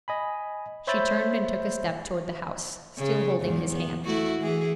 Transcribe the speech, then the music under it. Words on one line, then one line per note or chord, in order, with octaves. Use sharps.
She turned and took a step toward the house, still holding his hand.
D#5 G#5 B5
C5 C#5 E5 B5 G6 A6
C#3
E2 G#2
B3
A3 E4 F#4
E3 G#4